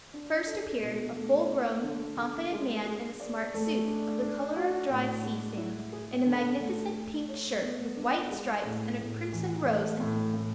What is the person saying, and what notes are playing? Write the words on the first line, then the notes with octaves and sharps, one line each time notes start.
First appeared a full-grown, confident man in a smart suit, of the colour of dry sea-sand, in a magnificent pink shirt with white stripes and a crimson rose in his buttonhole.
D4
A4
B2
A3
D4
D3
D3
G#3
G#4
D5
A3
D4
D4
F#4
A2
G#3
E4
G#4
D3
A3
A4
C#5
B3
D4
G#3
A2
A2
E3
A3
A2
A2